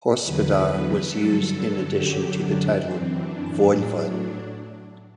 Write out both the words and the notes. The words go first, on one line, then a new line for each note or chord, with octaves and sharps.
"Hospodar" was used in addition to the title "voivod".
E2 D3 F#3 B4
G2 D3 F#3 A4
F#2 D3 F#3 G4
D4
F#2 E3 C4
D4
A2 F#3